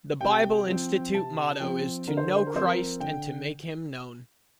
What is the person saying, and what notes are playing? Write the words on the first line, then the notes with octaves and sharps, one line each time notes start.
The Bible Institute motto is "To know Christ and to make Him known".
C3 G5
F3 C4
C3 A5
F3 C4 G5
D3 A#4
C5
A#4
C5
A#4
F3 C4 C5
A#4
D3 G5